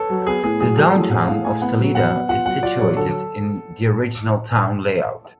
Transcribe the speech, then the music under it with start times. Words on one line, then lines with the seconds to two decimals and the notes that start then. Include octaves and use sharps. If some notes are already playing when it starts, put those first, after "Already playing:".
The Downtown of Salida is situated in the original town layout.
Already playing: A4 B4 C#5
0.10 F#3
0.27 B3 G#4
0.43 A2 G#4
0.60 F#3 G#4
0.77 F#3 A4
0.94 A2
1.11 A2 F#5
1.27 A2 F5
1.45 A2 G#5
1.61 B3 F#5
1.78 F#3
1.95 B3 F#5
2.13 B3
2.29 F4 F#5
2.46 F#3 F#5
2.63 F4 D5
2.80 F#3 C#5
2.97 D3 A4